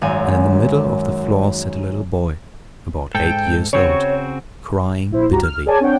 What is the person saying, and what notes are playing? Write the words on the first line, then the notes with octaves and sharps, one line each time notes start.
And in the middle of the floor sat a little boy, about eight years old, crying bitterly.
G#1 F#2 G#5
G#2 A4 G5
C#3 C4 F#4 C#5
A#1 E4 C5
C#2 G2 F#4 G4 A#5
F6
G#4 A#4 C#5 D5 G#5 A5
C4 D4 C#5 F#5 G5